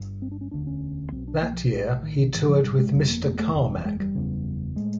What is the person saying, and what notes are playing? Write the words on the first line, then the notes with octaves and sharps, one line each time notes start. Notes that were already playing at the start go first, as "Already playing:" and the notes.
That year he toured with Mister Carmack.
Already playing: G1 G2
C4
D4
C#4
E1 D2 D3 D4
C#4
B1 B2 C4
D4
A#3
F3
A#1 A2
D#3
D#3
A1 G#2 E3
F3
G3
G#3
G1 F2 C3 G3
A#3
A3
A#3
A3
F#1 E2 C3
G#3
G3
F#1 E2 C#3
A2 G#3